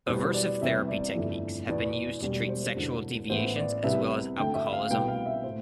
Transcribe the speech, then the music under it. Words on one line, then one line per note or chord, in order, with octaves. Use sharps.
Aversive therapy techniques have been used to treat sexual deviations as well as alcoholism.
E2 B2 G3 B3 C5
D5
E2 C3 G3 B3 E5
D5
G1 F2 E3 A3
E2 B2 B3 D5
E1 E2 B2 G3 D5
C5
C5
E1 E2 D3
A1 A2 E3 B3 C5
D5
C2 C3 G3 B3 E5
D2 D3 A3 G5
E5
F5
C2 B2 B3 G5
F5
E5
A2 C5